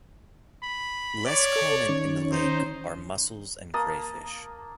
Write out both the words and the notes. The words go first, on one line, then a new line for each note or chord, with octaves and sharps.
Less common in the lake are mussels and crayfish.
B5
C#5 D5 D6
A4
D#3 C#4
D#4 C5
A#3 A5 D#6